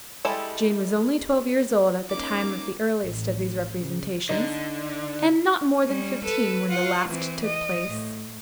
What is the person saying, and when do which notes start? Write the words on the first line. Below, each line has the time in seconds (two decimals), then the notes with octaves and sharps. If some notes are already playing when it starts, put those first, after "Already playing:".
Jane was only twelve years old at the time of the earliest of these representations, and not more than fifteen when the last took place.
0.25 G3 G#3 E4 A4
2.09 A#3 C#4 D#4 D6
3.03 A1
3.77 C#3
4.29 D3 D#4 D#5
5.85 G3 C#4
6.25 A4 B4
6.69 F4 F#5
7.08 E3 C4
7.45 D#5
7.86 A2